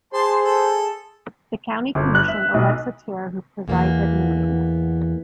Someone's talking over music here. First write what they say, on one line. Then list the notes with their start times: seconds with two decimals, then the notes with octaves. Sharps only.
The county commission elects a chair who presides at meetings.
0.13 G#4 C5 A5 C6
0.44 A4
1.95 G1
2.15 F#6
2.28 E5
2.54 B1
3.68 E2 A#3 B3